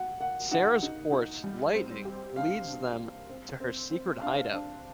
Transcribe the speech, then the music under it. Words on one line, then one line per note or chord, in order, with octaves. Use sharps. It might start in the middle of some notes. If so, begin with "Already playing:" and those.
Sarah's horse, Lightning, leads them to her secret hideout.
Already playing: F#4 F#5
A#4 F#5
D#4 F#5
D#4
D#4
G3
C4
G4
D4 F5
D4
A#3
C4
C4
C4
D4 F5
D4